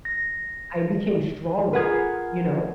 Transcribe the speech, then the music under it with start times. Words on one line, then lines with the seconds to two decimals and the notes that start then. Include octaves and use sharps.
I became stronger, you know.
0.05 A#6
1.73 F4 G#4 A#4 B4 F#5 G#6